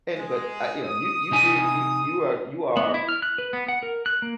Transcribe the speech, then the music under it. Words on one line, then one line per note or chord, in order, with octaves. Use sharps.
and but I, you know, you you did you you are you are,
G#3
D#6
C3 D#4 G#5
B3
E4
F6
F#6
B4
B3
F#5
A#4
F#6
A#3